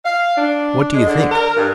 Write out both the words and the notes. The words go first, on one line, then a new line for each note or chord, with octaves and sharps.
What do you think?
F5
D4
G#3
D3
A#4
G2